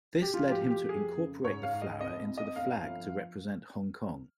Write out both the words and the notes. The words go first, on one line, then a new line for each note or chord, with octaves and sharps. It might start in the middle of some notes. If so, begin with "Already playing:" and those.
This led him to incorporate the flower into the flag to represent Hong Kong.
G4
F3 F4
G4
F3
G4
F1 G#4
C#3
G#2 C#5
F5
G#2
D#5
C2 D#5
C2
D#5
G1 F5
F3